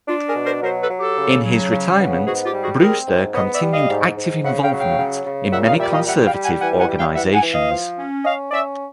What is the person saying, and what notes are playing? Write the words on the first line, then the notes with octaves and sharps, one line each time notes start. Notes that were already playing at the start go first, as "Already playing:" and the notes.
In his retirement Brewster continued active involvement in many conservative organizations.
D4 F4
G#4 A#4
B2
A#4 C5
F#3 A#4 C5
A4 B4
F#3
G4 A4
C#3
F#3
C#3
B3
G#2 F#4 G#4
F4 G4
G3
F#4 G#4
C4 G#4 A#4
G#2
B3 C#5 D#5
D5 E5
G3
D#5 F5
G#2
G#2
C#3 E5 F#5
F5 G5
F#3
F5 G5
C#3
C#3
A#2 E5 F#5
D#5 F5
G3 D5 E5
D#5 F5
G3 E5 F#5
F5 G5
G3
F#5 G#5
E3 F#5 G#5
F#5 G#5
G3
F5 G5
E3 E5 F#5
F#5 G#5
E3
D#5 F5
F3
C#4
C#4 D#5 F5
C#4 D5 E5